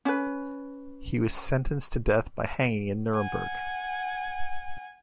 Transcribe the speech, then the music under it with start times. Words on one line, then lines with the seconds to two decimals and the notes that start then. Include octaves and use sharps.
He was sentenced to death by hanging in Nuremberg.
0.05 C#4 B4
3.13 F#5 G#5